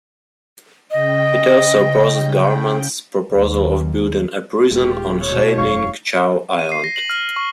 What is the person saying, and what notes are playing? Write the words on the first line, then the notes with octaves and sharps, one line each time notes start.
It also opposed government's proposal of building a prison on Hei Ling Chau Island.
C#3 D#5 G5
D#2
D#1 D#2 G#3 F4 G4
B2 C#5
E1 F#2 F5 C#6
D#7
C7
A#6
F#7
F6
C#6